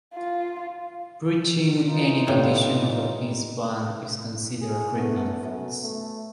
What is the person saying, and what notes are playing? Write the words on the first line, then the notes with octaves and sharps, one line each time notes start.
Breaching any condition of a peace bond is considered a criminal offence.
F4
E3 D#4 F4
A2 G3 F5
G#4
A3 B3 A4
F#2
A3